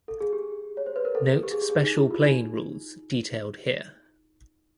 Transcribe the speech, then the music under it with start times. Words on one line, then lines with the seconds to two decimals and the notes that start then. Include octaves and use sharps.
Note special playing rules detailed here.
0.08 A4
0.21 G#4
0.33 G4
0.77 C#5
0.86 C5
0.96 B4
1.05 A#4
1.15 A4
1.33 A4
1.43 G4
1.51 G#4
1.61 G4
1.70 G#4
1.83 D#4
1.97 E4
2.11 F4
2.25 D#4